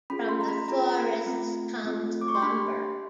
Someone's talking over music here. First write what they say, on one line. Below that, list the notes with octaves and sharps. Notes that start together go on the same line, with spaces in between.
From the forests comes lumber.
C#4 F4 G#4 B5
C6
A#5
B5
C#4 F4 G#4 A#5
A#5
B5
A3 C4 F4
A3 C4 F4
D6
C#6
C6
D4 G4 B5